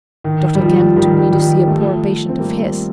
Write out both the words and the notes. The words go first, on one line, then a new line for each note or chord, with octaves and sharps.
"Dr. Kemp took me to see a poor patient of his."
D#3
G3
F3
D#3 G3
D#3 G3
F3 A3
C4
G3 A#3